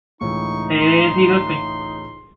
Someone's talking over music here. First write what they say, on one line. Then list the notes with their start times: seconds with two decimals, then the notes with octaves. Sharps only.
And he hooked me.
0.21 C#2 A2 E3 D#4 C#6
0.80 C6